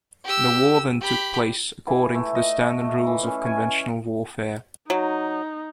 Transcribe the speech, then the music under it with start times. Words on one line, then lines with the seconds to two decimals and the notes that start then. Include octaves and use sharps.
The war then took place according to the standard rules of conventional warfare.
0.25 G4 E6
1.01 G4 B5
1.87 E3
2.15 A3
2.35 D#5
2.81 A3
3.07 E3
3.23 C#4
3.46 G#5
4.90 F#3 D#4